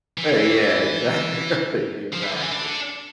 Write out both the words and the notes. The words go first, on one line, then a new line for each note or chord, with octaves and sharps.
Eh, yeah. Exactly, exactly.
E3
F3
E3
D3
E3
D4
A4